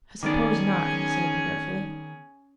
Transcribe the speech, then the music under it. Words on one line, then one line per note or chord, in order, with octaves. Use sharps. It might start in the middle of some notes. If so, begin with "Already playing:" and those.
"I suppose not," he said regretfully.
D#3 B3 C#4 D#4 G#4 D5 D6